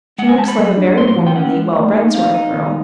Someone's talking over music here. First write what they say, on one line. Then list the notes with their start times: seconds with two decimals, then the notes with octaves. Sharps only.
She looks like a very womanly, well-bred sort of girl.
0.18 G#3 F#5
0.29 G#5
0.38 G#3 A5
0.48 B5
0.58 F#3
0.77 D4
0.97 A2 C6
1.07 C6
1.16 E3
1.26 G5
1.36 C#4 F#5
1.56 G#3
1.75 A3
1.95 D#4
2.14 C4 F5
2.34 D#4
2.53 D#3